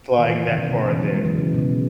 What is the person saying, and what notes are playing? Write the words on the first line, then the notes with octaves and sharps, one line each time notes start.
flying that far then.
D#3
E3
D#3
C#3
B2
C#3
E3
F#3
G#3
E3
C#3
B2
C#3